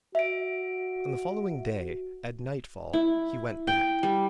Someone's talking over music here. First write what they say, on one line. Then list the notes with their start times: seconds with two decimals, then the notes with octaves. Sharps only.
On the following day, at nightfall, he went back.
0.15 F#4 E5 D7
2.93 E4
3.67 G5
4.03 G3